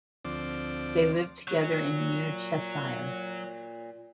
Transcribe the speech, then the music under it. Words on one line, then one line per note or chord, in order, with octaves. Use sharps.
They live together in Mere, Cheshire.
D2 F3 C4 D5
A#2 F#3